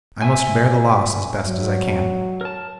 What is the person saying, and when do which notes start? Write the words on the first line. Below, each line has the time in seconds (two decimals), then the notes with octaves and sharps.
I must bear the loss as best as I can.'
0.22 E5 G#5
1.47 F#3
2.41 A#4 A5